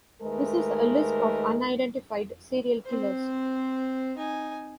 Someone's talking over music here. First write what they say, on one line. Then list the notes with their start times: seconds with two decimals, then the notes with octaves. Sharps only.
This is a list of unidentified serial killers.
0.22 D#2 G#3 A3 A#4 B4
2.85 C4 C5
4.17 D#4 G#5